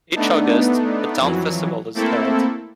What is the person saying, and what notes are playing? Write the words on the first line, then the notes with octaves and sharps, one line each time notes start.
Each August, a town festival is held.
A3 B3 D4 D#4
F2 E3 F#3
A3 A#3 C4 E4 A4